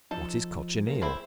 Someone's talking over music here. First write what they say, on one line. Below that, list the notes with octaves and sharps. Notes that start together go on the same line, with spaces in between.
What is Cochineal?
F3 D#4 A4
F#2 A#2 A#3
C4 E4 G#4 C5